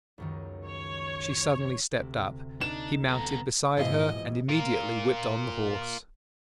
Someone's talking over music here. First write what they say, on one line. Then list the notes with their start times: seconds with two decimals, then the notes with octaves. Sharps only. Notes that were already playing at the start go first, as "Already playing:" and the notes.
She suddenly stepped up; he mounted beside her, and immediately whipped on the horse.
0.18 C#2 F#2 D#3
0.67 C#5
1.99 D2 C3
2.61 D4 D#4 E7
3.09 B3 A4 A#5
3.77 A#1 G#2 B2 E3 F3 E4 D#5 F5
4.49 F4 A#4